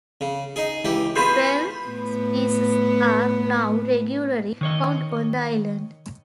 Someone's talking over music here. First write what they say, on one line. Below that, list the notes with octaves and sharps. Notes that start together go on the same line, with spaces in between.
Twelve species are now regularly found on the island.
C#3
D#4 G#4
C#2 E3 G4
B3 F4 G#4 C5 B5
A2 B3
D#3 C#5 D#5